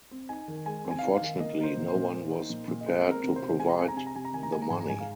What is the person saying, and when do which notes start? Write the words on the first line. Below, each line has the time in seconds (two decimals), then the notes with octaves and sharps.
Unfortunately no one was prepared to provide the money.
0.11 C4
0.29 D#4 G#5
0.48 D#3
0.66 G#3 G#5
0.85 C4
0.91 G#5
0.99 F5
1.02 D#4 G#5
1.15 F5
1.21 D#3
1.40 A#3 D#5
1.58 D#4 A#4
1.63 C5
1.76 A#2
1.88 C5
1.95 A#2
2.13 A#3
2.31 D#4
2.50 A#2
2.68 A#2
2.81 D#5
2.86 G#3 C5
3.05 C4
3.11 A#4
3.23 C3
3.36 C5
3.42 C3
3.60 G#3 G#5
3.69 A#5
3.79 C4 G#5
3.88 A#5
3.96 C3 G#5
4.06 A#5
4.15 C3 G#5
4.25 A#5
4.33 D#3 G#5
4.43 A#5
4.52 G#3 G#5
4.62 A#5
4.70 G#2 G#5
4.80 A#5
4.89 G#2 G#5
5.00 F5